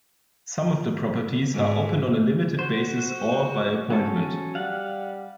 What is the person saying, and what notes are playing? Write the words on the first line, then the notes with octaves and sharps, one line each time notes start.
Some of the properties are open on a limited basis or by appointment.
G#2
F#4 C5
F#3 C#4 A4
G3 F5 F#5